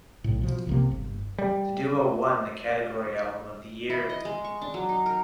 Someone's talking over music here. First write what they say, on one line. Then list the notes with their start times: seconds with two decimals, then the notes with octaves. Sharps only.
The duo won the category Album of the Year.
0.24 B1 A2
0.41 B2 F3
0.67 C2 C3 A#3
0.91 G1
1.38 G3
3.90 E4
4.09 D#5
4.25 G#3
4.44 C#6
4.62 D4
4.74 F#3
4.89 D#4
5.06 A#4